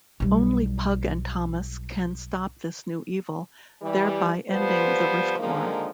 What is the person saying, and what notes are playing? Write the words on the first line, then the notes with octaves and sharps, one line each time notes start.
Only Pug and Tomas can stop this new evil, thereby ending the Riftwar.
B1 G3
E3 G3
F3 G3 B3 B4 C5
D3 D#3 F3 G#3 A#3